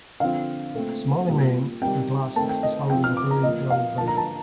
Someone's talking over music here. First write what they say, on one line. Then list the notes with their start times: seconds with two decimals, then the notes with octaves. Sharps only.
A smiling man in glasses is holding a very young baby.
0.20 D3 F3 C4 F5
0.74 A#2 A3 C4
1.28 A#2 G3 A#3
1.82 C3 D#3 G3 G5
2.36 D#3 A3 C4 A5
2.49 G5
2.63 D#5
2.90 C3 F3 C4 G5
3.04 F6
3.17 D6
3.31 A#5
3.43 A#2 F3 A#3 D#5
3.70 F5
3.98 D3 F3 A#3 A5
4.08 A#5
4.17 A5